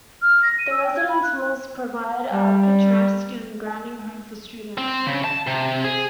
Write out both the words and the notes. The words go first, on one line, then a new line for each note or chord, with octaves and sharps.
The Residence Halls provide a picturesque and grounding home for students.
F6
A#6
D#7
E6
G5
G#6
B5
F#6
G3
C4
C#3
A5
C3
G#4